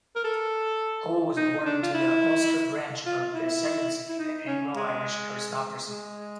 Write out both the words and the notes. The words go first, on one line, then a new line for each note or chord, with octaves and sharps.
Cole was born into the Ulster branch of 'the Ascendancy', the Anglo-Irish aristocracy.
A#4
A4
D#4
D4
F4
E4
F4
E4
E4
D#4
C#4
G#3
G#3